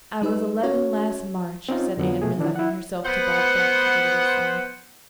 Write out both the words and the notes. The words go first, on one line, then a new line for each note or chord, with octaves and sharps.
"I was eleven last March," said Anne, resigning herself to bald facts with a little sigh.
G3 D#4 B4 E6
C#4 F#4 C#5
C4 C#4 D#4 F4
F2 D3 F3 F#3 B3
B2 A3 G#4
D#3 E3 D4 E4
E4 F#5
B3 C5 F#5